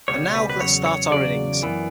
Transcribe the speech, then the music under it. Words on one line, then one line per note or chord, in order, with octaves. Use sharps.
And now let's start our innings.
C#2 B2 G3 C#5
B4
B4
E2 C#3 F#3 C#5
C#5
E2 C#3 F#3 D5
F#2 E3 B3